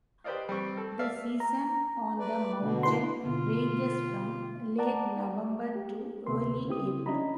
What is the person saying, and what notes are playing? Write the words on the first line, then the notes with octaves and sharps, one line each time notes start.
The season on the mountain ranges from late November to early April.
G4 B4 C5 D5 D#5 F5
G3 C4 C#6
A4
D5 E5 F5 E6
A#5
B4 D5
B2 D3
E4 B4 C6
B2 D3 B3 F4
D5 F#5 A5 A#5 D6
G4
D2 C3 B3 B4 C6
C#3 C4 E4 G4 D#6
C#4 D4 E4 D#5 A#5 B5